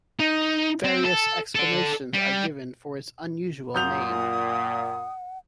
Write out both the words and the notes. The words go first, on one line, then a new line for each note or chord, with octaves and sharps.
Various explanations are given for its unusual name.
D#4
C4
A4
A4 D5
G3
F#2 A#2 F#5 D#6 G6 F7